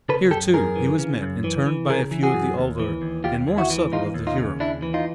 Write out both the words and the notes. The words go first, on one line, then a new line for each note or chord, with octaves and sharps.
Here, too, he was met and turned by a few of the older and more subtle of the Hurons.
C#3 A4 B4
F#2 G4 A4
F#2 G#4 A#4
E3
C#3
F#2
E3
E3
C#3 G#4 A#4
E3
F#4 G#4
F#2
D#2
E3
D#2
D#2 F4 G4
D#2
E4 F#4
E3
D#2 D#4 F4
D#2
D#4 F4
C#3
D#2 D4 E4
E3
D#4 F4